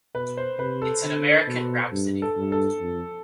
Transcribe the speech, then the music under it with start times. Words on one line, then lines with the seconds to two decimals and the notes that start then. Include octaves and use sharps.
It's an American rhapsody.
0.15 B2 B4
0.37 C5
0.59 C3 B4
0.82 A4
1.04 D3
1.48 B2
1.92 G2
2.22 A4
2.37 G2
2.52 A4
2.81 F2